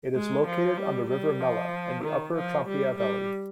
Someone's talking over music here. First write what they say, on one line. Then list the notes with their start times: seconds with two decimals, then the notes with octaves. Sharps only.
It is located on the river Mella, in the upper Trompia valley.
0.14 G#3
0.47 F3
0.77 G3
1.09 G3
1.41 F3
2.03 D#3
2.34 F3
2.67 G3
2.98 G3